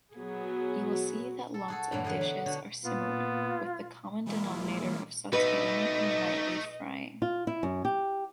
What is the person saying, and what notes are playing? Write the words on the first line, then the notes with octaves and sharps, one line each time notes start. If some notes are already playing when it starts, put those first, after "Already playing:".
You will see that lots of dishes are similar, with the common denominator of sautéing and lightly frying.
F#3 B3 F#4 G#4
A4
F#4 G#4 A4
G2 A#2 E3 F#3 A#3
D3 E3 G#4 B4
F#3 B3
D3 F#4 C#5
A#2 B3 F4
E3 G3 G#3 A#3 E4 F4
A3 D#4 F#4 B4 D#5
F4
E4
F#2
G4